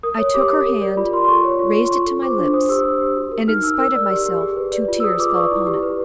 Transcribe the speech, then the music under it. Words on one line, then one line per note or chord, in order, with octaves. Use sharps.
I took her hand, raised it to my lips, and in spite of myself two tears fell upon it.
A#4 D#6
C#5
G4 D6
G4
A#4
D5
F4 B5
F4 C6
C6
A4 C#6
C#5
F4
F4
C6
F4 C#6
A4
C5 D6
D4
C5 D#6
G4 E6
C5
G4
F#4
A#4
D#4 F6
D#4 E6
A#4 E6
D5
G4
G4
G#4
B4
D5
F4
E6
G#4 D#6
B4 D6
D5 C#6
E4
G4
B4